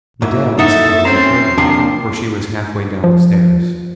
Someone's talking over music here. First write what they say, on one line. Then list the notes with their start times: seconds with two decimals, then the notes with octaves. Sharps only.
Madame, I suppose, had heard me, for she was half-way down the stairs.
0.22 G#2 F#3 A#3 E4
0.59 D#4 A4 E5 F#5 A6
1.05 C4 C#4 C5 A#5 C7
1.58 C2 C3 F3 A#3 D4
3.04 F3